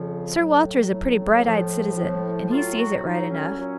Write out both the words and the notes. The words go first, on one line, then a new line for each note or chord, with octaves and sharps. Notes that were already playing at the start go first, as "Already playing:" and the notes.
Sir Walter is a pretty bright-eyed citizen, and he sees it right enough.
Already playing: F2 C#3 F3
A2 F#3
A2 F#3
A2 F3
A2 F3
A2 F#3 F4
F#4
A2 F#3 D#4
C#4
A#2 F#3